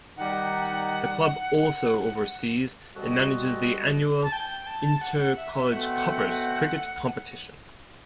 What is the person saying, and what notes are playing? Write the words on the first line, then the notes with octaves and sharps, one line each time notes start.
The club also oversees and manages the annual inter-college 'Cuppers' cricket competition.
D#3 G3 D#4 F#5
G3 C4 F#4 A4 D#5
A5
G5
A5
F#5
F#5
E5
E5
B2 A3 C4 F#5